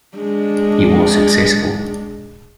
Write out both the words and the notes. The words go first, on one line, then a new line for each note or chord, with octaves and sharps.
He was successful.
G#3 D4